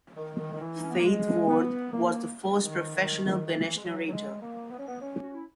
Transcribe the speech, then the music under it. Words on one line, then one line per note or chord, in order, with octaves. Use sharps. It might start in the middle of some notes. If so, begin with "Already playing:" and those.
Faith Worth was the first professional Benesh notator.
D#3
D#3
D#3
E3
D#4
C#4
B3
A#3
G#3
B3
A#3
D#3
D#3
D#3
D#3
E3
G#3
F#3
F#3
G#3
A#3
B3
C#4
B3
C#4
F#4
E4